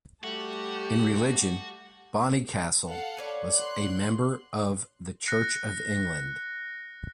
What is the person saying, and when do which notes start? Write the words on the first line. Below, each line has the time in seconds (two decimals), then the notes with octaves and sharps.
In religion, Bonnycastle was a member of the Church of England.
0.24 G3 A3 F#4 G4 A5
2.86 A4 F5 F#5
3.17 B4 C#5 D5
3.55 C6 F#6
5.26 F#6 A#6 C#7